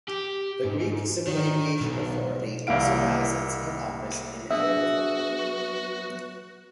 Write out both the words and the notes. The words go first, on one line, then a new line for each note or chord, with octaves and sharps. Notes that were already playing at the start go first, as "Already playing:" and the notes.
The Greek Civil Aviation Authority also has its head office in Elliniko.
G4
G#2
D#3
B1
C2 A#3 E4 F5 D7
F#3 B3 D4 F#4 G#4 E5 D#6
B4 C#6